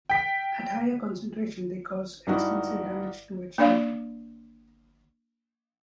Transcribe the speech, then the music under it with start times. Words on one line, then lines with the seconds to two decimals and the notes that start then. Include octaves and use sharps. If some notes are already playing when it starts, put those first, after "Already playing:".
At higher concentrations they cause extensive damage to vegetation.
0.09 G5 B6
2.27 G2 G3 D#4 E4 F#4
3.58 A#3 D4 D5 F5